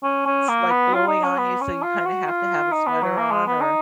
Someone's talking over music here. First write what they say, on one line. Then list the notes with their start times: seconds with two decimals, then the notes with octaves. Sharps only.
it's, like, blowing on you so you kinda have to have a sweater on? Or
0.03 C#4
0.26 C#4
0.49 A#3
0.71 B3
0.94 F4
1.08 D#4
1.23 C#4
1.37 B3
1.61 C#4
1.83 F4
2.06 F#4
2.28 F4
2.72 D#4
2.86 B3
3.03 F#3
3.17 A#3
3.31 G#3
3.47 B3
3.61 D#4